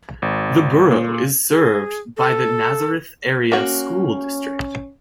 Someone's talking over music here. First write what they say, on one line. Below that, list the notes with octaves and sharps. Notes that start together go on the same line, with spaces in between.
The Borough is served by the Nazareth Area School District.
G#1
A#2
G#4
A4
A#3 C#4 F#4